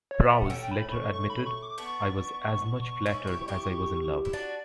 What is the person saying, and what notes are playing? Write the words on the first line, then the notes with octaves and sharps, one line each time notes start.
Prowse later admitted, I was as much flattered as I was in love.
C#5
D5
E5
F#5
A3 C#4 G5
B5
C#6
C#6
B5
C#6
D6
B3 D4 C#6
C#4 E4
E4 G4
E4 G4
E4
D4 F#4 D5